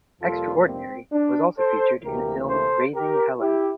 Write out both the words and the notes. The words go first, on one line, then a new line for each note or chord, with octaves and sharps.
"Extraordinary" was also featured in the film "Raising Helen".
F2 C3 G3 A#3 F4 A4
C4
D4
A4 C5
D2 C3 E3 A#3 G4 A#4
A4 C5
G4 A#4
E4 G4